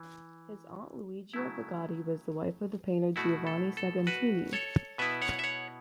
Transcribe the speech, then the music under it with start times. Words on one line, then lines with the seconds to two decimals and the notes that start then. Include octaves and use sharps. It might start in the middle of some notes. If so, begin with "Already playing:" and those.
His aunt, Luigia Bugatti, was the wife of the painter Giovanni Segantini.
Already playing: E3
1.33 C#3 F#3 A3 E4
3.16 B2 A3 E4 F#4
3.47 A4
3.77 A4
4.07 F#4 B4
4.53 A4 C#5
4.98 B2 B3 E4 B4 E5
5.22 C#5 F#5
5.39 E5
5.44 C#5 F#5